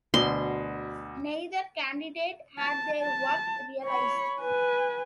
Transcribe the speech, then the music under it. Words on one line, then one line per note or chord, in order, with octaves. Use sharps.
Neither candidate had their work realised.
D2 B2 C6
A5
A5
C#5 B5
B4 G#5